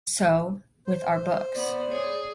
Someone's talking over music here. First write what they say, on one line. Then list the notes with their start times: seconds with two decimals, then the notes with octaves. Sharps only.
So, with our books.
0.86 C5
1.55 B3 D5
1.92 G#4 C#5